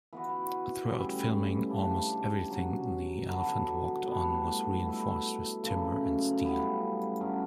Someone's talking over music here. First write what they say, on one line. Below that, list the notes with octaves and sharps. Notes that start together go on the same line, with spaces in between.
Throughout filming, almost everything the elephant walked on was reinforced with timber and steel.
E3 B3 F#4
A2 E3 G3 C#4
C#3 G3 D4
B2 F#3 C#4 F#4
D3 F#3 B3 D4
A2 G3 B3 D4
B2 A3 E4
F#2 C#3 E3 A3
C#3 G3 B3 E4
G2 F#3 C#4